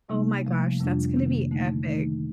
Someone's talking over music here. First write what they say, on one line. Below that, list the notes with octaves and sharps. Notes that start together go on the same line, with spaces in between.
Oh my gosh, that's gonna be epic.
C3 G3 A#3 D#4
C3 F3 A3
F2 C3 G3 D4 F4
C3 D#3 A#3
D3 A3 D#4
D#3 A3 D#4